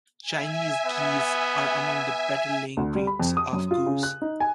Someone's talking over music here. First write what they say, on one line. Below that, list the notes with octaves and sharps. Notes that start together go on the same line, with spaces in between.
Chinese geese are among the better laying breeds of goose.
E5 G#5
B3
D2
G3
B5
F2
D#6
F#2
F4
C#3
F#6
D#4
G#5